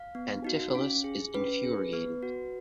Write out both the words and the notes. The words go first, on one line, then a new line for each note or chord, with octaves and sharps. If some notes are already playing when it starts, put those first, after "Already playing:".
Antipholus is infuriated.
Already playing: F5
B3
D#4 F#4
C#4
G#4
C#4 B4
G#4
B3
F#4